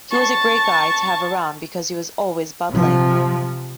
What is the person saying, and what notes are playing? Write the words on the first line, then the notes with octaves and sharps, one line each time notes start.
He was a great guy to have around because he was always bubbling.
A5 C#6
C3 F3